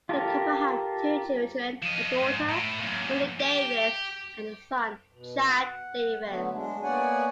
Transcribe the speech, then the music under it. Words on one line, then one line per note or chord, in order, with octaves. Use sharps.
The couple have two children: a daughter, Whitney Davis, and a son, Chad Davis.
F4 G4 A4 A#4 D5
F3 D#5
G#2
A2
F#2 A#2
G4
B2
F#5
D3 F#3 A3 B3
G#3 D4
A#3 B3 C#5 D5 F#5 G#5